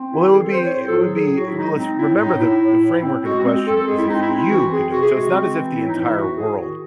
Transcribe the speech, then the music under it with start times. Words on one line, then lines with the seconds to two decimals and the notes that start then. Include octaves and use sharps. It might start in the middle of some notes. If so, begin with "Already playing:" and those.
Well, it would be it would be It really was Remember the the framework of the question is if you could do it. So it's not as if the entire world
Already playing: C4
0.10 D#3 E4
0.31 C4 G#4
0.42 A4
0.52 C4 C5
0.63 C#5
0.73 A2 C5
0.87 A4
0.94 F#3
1.01 G#4
1.15 A2 G#4
1.25 G#4
1.35 F#3 F#4
1.46 E4
1.57 G#3 D#4
1.77 C4 D#4
1.98 A2 E4
2.19 A2 D#4
2.40 A2 E4
2.61 A2
2.82 A2
3.03 C4
3.23 G#3 F#4
3.38 F#4
3.45 C4
3.65 C4 A4
3.76 A4
3.86 G#3 G#4
3.97 E4
4.07 C4 D#4
4.21 E4
4.28 C4
4.36 E4
4.49 E3 F#4
4.70 C4 G#4
4.90 C3 F#4
5.02 G#4
5.12 G#3 F#4
5.32 C4
5.53 E3
5.74 A2 E4
5.88 D#4
5.96 E3
6.02 E4
6.16 A2 F#4
6.37 A2 G#4
6.57 D#3 F#4